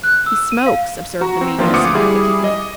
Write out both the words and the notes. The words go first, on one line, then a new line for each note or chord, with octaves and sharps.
"He smokes," observed the Major, significantly.
F#6
E6
D#7
F5
F#4 A#5
C4
E3 F3 A#3 C4 D4 F4
D2 F4 D6 D#6 C#7
G3 E4 G#4
D#5